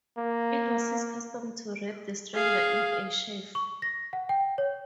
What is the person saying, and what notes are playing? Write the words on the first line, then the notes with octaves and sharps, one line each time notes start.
It was his custom to wrap the stranger in a sheaf.
A#3
G#4 F5
C#6
A#6
F#5
G5
C#5